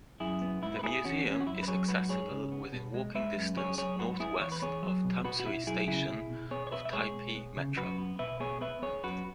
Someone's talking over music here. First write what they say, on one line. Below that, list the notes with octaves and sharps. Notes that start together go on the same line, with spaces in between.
The museum is accessible within walking distance northwest of Tamsui Station of Taipei Metro.
F#2 E4 G#4
B3
G#2 E4
B4
B3 E4 G#4
E2 C#4 F#4
E2 C#4
F#4
F#2 E4
B4
F#3 G#4 C#5
G#2 F#4 B4
G#2 G#4 C#5
C#3
B3
B2
G#3
G#3 B4 E5
F#2
F#3 G#4 C#5
F#3 G#4 C#5
G#2 F#4 B4
B3 E4 G#4
E2 C#5
B4
B3 G#4 C#5
F#3
B2
B2 F#4 B4
F#4
B2 E4
F#3 E4 G#4
C#3 E4 G#4
B2
B2
B3 G#4 C#5
C#5
B2 B4 E5
E5
G#3 G#4 C#5
B2
B3
C#3
F#2 F#4 B4
B3
B2 B4 E5
B3 G#4 C#5
B3 B4 E5
B3 G#4 C#5
F#2 F#4 B4